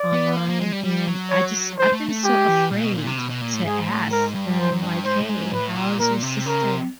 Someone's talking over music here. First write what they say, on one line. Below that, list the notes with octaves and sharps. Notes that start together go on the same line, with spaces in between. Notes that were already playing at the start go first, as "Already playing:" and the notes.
online, and I just I've been so afraid to ask them, like, "Hey, how's your sister,"
Already playing: D5
B3
A#3
A#3
G#3
G3
G3
F#3
C#5
C5
A3
A3
G#3 G4
E3
A#2
B2
A#2
C3
B2
B2
A#2
A2
G#2 G#4
A2
G#2 A#4
G2
F#2 C5
F#2
G2
G#2 C5
A2
G#2
A2 B4
A#2
A#2 A#4
C3
C#3 A#4
C3